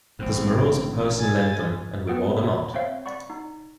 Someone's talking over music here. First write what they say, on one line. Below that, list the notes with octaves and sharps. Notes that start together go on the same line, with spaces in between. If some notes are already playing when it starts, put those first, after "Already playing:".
This morose person lent them, and we wore them out.
A1 G#2 C4
G#5 A6
B3 C4 B4 F#5 D#6 D7
A#3 F#4
C4 C5 C#5 E5 F5
D5 F#5 B5 C#6
D#4